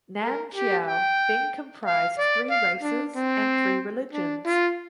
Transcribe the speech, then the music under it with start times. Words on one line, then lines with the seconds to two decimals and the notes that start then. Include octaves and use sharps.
Nam Chiao then comprised three races and three religions.
0.23 A#4
0.55 G4
0.88 G5
1.86 F5
2.18 D5
2.50 F5
2.83 D4
3.16 C4
4.13 D4
4.46 F4